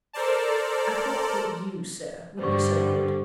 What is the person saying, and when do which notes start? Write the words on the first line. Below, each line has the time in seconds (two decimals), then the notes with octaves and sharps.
"I thought that you, sir, would be so good!"
0.13 A4 A#4 C5 D5 A5
2.39 G2 D3 G3 C5 C#6